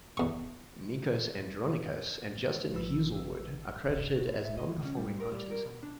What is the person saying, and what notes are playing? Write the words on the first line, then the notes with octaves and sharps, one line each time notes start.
Nikos Andronicos and Justin Heazlewood are credited as non-performing writers.
E2 C#6
A1 F3 B4 E6
F#4
A2
E5
D#5
C#2
C#4
G3
A#4
G3
A#4
B2
D4